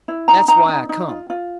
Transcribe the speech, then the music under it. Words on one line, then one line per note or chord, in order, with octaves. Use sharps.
That's why I come.
E4
D#4 A#5
D#4 A#5
D#4
D#4
F4
F4